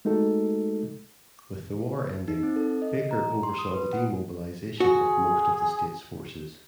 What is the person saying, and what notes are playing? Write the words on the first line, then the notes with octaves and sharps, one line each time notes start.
With the war ending, Baker oversaw the demobilization of most of the state's forces.
G#3 A3 D#4 F#4 A4
D#4
C4
A4
D#5
A#5
C6
D#6
B4
F#5
F#4 G#4